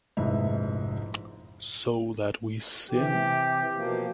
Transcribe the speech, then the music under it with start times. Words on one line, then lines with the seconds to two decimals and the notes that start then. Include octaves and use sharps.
So that we sin.
0.17 F1 A#1 G#2 E4 D#5 E5
2.90 C3 E3 G4
3.77 B2 F3 A#3